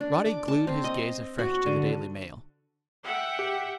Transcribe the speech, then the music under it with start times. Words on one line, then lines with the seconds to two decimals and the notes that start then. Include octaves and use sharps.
Roddy glued his gaze afresh to the Daily Mail.
0.01 D4
0.26 D6
0.48 A5
0.67 C4
0.84 D#5
1.39 F#4
1.66 D3
3.03 E5 F#5 G5
3.39 G4